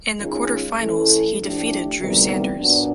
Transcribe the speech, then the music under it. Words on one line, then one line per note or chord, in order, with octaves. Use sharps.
In the quarterfinals he defeated Drew Sanders.
D#3 G#3 C#4 F4 G#4
E3 A3 C#4 E4 A4
A2 F3 A3 D4 G4
D2 C3 D#3 G3 B3
A#2 F#3 B3 D4